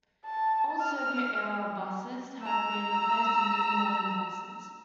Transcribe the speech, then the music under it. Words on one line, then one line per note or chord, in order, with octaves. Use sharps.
Old Soviet-era buses have been replaced with new modern buses.
A5
F6
A#5 E6